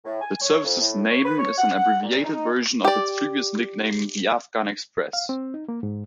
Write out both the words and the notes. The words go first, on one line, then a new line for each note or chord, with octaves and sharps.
The service's name is an abbreviated version of its previous nickname "The Afghan Express".
A2
G#5
C#5
F2
A2
C#5
B4
C#5
F#5
A#2
D#4
G4 D5
F5
C4
D#4
A#3
G#2